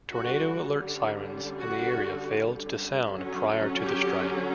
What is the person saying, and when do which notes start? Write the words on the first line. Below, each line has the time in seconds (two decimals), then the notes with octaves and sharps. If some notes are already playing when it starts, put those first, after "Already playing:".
Tornado alert sirens in the area failed to sound prior to the strike.
0.10 D3 G3 C#4 F#4
1.60 F#4
3.09 D3 F#3 C#4
3.84 G4